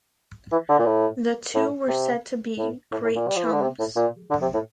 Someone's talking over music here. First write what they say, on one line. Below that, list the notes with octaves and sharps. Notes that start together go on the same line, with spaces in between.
The two were said to be "great chums".
E3
D3
A#2
A2
A2
C3
A2
A2
A2
A#2
G3
F3
E3
D3
C3
A2
A#2
D3
C3
A2